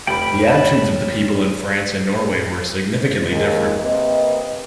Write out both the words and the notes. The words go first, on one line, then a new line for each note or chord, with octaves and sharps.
The attitudes of the people in France and Norway were significantly different.
F1 G4 G5 B5 F#7
C#5 A5 B5
D#2 G#3 A#4
C3 A#3 C4 B4 D#5